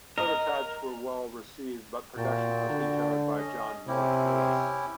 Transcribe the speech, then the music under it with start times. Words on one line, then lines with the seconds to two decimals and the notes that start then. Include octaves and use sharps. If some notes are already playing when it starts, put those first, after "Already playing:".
Prototypes were well received, but production was vetoed by John North Willys.
0.18 A#4 D#5
2.17 A#2 F#4 G5 A5
2.70 D3
3.37 C#4 D#5
3.88 C3 C#4 E4 G4